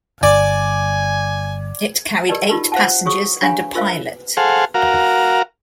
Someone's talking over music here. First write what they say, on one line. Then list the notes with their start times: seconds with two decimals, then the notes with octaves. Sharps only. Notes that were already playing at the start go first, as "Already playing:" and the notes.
It carried eight passengers and a pilot.
0.23 G1 D5 G#5
2.29 G4 A#4 B4 D5 D#5 A5
2.49 D#4 F4 G4 A#4 B4 A5
2.72 C5 F5 F#5 A5
3.05 F#4 G#4 C#5 C#6 D#6
3.42 D4 G4 C#5 F5 G#5 B5
3.75 F4 A#4 C5 E5 F5
4.37 G#4 A4 C5 F5 F#5
4.74 F#4 A#4 F5